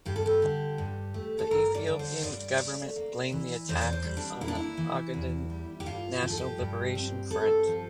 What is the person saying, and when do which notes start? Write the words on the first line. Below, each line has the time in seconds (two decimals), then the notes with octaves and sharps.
The Ethiopian government blamed the attack on the Ogaden National Liberation Front.
0.05 G2 G4
0.16 A4
0.26 G4
0.42 D3
0.78 G2
1.14 A3
1.39 A4
1.51 G2 A#4
1.74 D5
1.87 D3
1.99 C5
2.23 G2 D5
2.60 A3
2.96 A#3
3.32 E3
3.68 E2 C5
3.81 D5
3.93 C5
4.05 G3
4.17 D4
4.41 A#3 E4
4.48 D4
4.55 E4
4.77 E3
5.14 E2
5.50 G3
5.80 G4
5.86 G2 F4
6.22 F3 G4
6.30 A4
6.38 G4
6.58 G2
6.95 C4
7.31 G2 A4
7.67 F3